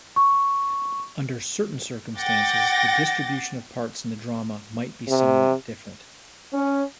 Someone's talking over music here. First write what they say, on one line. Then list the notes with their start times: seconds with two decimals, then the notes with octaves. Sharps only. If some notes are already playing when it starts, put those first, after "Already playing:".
Under certain circumstances the distribution of parts in the drama might be somewhat different.
0.16 C#6
2.18 F#5 G5 D6 A6 A#6
5.08 C3
6.52 C#4